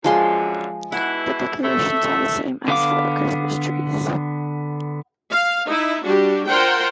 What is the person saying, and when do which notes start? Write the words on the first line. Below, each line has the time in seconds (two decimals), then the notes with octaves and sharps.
The decorations are the same as for Christmas trees.
0.04 F#2 D3 F3 G#3 C6
0.92 B2 E3 E4 F#5
1.64 A3 E5
2.68 D3 B3 F5 D6
5.30 F5
5.66 D#4 E4
6.04 G3 D4 F#4 G4
6.46 F4 A#4 C5 F#5 G5